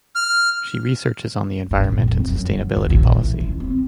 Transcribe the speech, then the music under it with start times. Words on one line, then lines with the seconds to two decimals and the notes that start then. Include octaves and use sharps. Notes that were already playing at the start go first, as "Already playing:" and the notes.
She researches on the environment and sustainability policy.
0.15 F6
1.71 G2
1.84 A#1
2.08 F2
2.27 F#2
2.53 D3
2.77 D#2
2.90 A#1
3.15 E3
3.40 C#2
3.60 C4